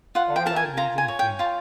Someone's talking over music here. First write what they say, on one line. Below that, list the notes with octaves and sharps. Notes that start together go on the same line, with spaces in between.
All are region-free.
F4 F#5
G5
A#4 A5
G#5
F4 A#5
G#5
C#5
G5
F4 A5